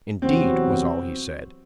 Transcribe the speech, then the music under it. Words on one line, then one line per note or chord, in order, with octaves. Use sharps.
"Indeed!" was all he said.
E2 C3 F#3 B3 C4 F#4